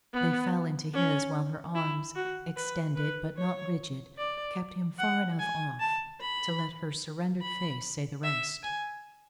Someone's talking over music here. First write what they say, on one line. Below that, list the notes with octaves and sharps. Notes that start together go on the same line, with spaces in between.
They fell into his, while her arms, extended but not rigid, kept him far enough off to let her surrendered face say the rest.
B3
C#4
E4
F#4
B4
B4
C#5
D5
F#5
G#5
A5
B5
B5
E5
G#5